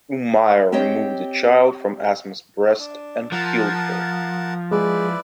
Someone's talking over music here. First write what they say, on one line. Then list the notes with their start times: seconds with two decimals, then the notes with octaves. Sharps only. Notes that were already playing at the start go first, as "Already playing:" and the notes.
Umayr removed the child from Asma's breast and killed her.
0.72 C4 G4 C#5 D#5 G5
2.79 D4
3.32 F3 A#4 F#5 A5
4.71 G#3 E4 B4 D5